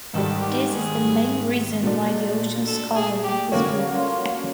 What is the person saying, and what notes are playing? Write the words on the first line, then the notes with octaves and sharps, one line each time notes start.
This is the main reason why the ocean's color is blue.
G#2 D#3 G3 A4
G4
G#4
A#2 F#3 A3 D4
A4
G#4
G4
D3 F#3 A#3 C#4 F#4
F4